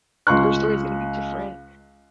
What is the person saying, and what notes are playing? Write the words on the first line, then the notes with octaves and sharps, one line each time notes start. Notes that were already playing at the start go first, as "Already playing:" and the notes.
Their story is gonna be different,
C#2 C6 C#6 F#6